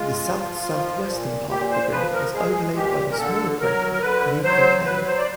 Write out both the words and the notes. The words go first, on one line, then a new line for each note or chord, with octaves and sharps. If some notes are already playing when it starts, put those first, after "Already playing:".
The south-southwestern part of the rim is overlaid by the smaller crater Newcomb A.
Already playing: G#3 F4
F3
F3
A#2
A#2 G4
C5
F3 B4
A#4
G#3 G#4
A#2 G4
A#4
D3 A4
F#3 A#4
A#4
D3 B4
F#3 C5
F#3 B4
C5
D5